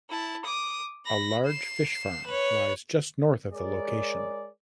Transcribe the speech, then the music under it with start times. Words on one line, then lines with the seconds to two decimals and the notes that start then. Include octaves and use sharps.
A large fish farm lies just north of the location.
0.10 E4 A5
0.45 D6 D#6
1.06 B5 A#6
1.46 C7 E7
2.26 B4 C#5
3.52 G#3 G#4 A#4 C#5 D5